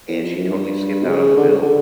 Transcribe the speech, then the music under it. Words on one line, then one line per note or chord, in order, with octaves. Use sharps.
and she totally skipped out on the bill,
E2
F2
F#2
G2
C3
C#3
D3
C#3
D3